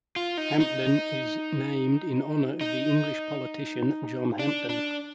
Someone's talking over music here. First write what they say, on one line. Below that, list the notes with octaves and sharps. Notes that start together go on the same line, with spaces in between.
Hampden is named in honor of the English politician John Hampden.
F4
D#4
D#4
D#4
D4
D4